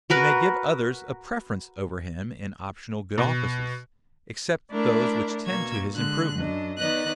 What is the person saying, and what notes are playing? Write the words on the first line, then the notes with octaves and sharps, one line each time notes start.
We may give others a preference over him in optional good offices, except those which tend to his improvement.
F#4 A#4 B4
B2
A3 D4 E4 A#4
B2 A#3 C#6 E6 G#6
D3 G#3 F#6
F#2 D4 D#5
D#3 B3 D5 D#5 F#6